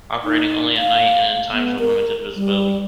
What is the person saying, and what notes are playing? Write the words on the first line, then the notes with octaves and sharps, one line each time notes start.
Operating only at night and in times of limited visibility.
D#4
F5
B3
A#4
G3